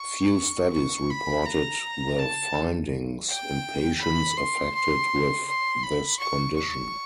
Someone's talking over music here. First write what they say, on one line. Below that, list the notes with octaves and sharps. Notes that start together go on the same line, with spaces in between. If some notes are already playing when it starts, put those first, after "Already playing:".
Few studies reported the findings in patients affected with this condition.
Already playing: C#6
C#6
B5
A#5
A5
G5
B5
C6
C6
C6
B5
C#6
C#6